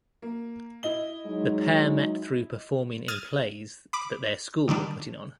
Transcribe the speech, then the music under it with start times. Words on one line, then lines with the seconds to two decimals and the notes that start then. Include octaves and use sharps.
The pair met through performing in plays that their school were putting on.
0.22 A#3
0.83 E4 D#5 G7
1.26 F#3 G#3 D#4
3.08 D#6 F6 G#6 A6 D#7
3.93 B5 D6
4.68 D3 D#3 G3 D4